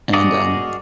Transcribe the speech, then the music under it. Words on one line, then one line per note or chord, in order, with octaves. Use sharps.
And, um
F#4 G#4 A#4 D5 D#5